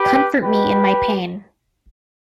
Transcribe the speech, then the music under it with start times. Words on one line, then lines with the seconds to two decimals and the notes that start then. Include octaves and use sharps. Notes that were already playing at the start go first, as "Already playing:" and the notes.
Comfort me in my pain.
Already playing: G4 B4
0.43 B2 G4 B4